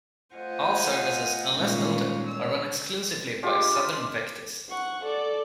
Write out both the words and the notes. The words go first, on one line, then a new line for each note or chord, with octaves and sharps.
All services, unless noted, are run exclusively by Southern Vectis.
A3 F4 C5 D#5 F#5 G#5
A#2 D#3 G3 G#3 C#4 F4
C#5 E6
G#3 D4 F4 G4
F#5 C#6
A4 D5